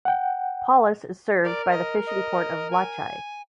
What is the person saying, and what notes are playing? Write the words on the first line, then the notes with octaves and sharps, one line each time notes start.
Polis is served by the fishing port of Latchi.
F#5 G5
A#4 D5
D#5
D#5
G#5